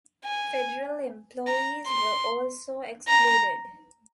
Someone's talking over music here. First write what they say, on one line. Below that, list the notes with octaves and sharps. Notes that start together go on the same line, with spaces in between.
Federal employees were also excluded.
G#5
A#5
C6
A#5